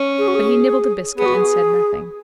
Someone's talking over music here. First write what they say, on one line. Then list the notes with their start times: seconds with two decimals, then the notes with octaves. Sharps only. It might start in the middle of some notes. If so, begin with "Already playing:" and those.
But he nibbled a biscuit, and said nothing.
Already playing: C#4
0.19 G#4
0.28 F#4
0.35 G#4
1.18 B3 G#4
1.26 F#4
1.34 G#4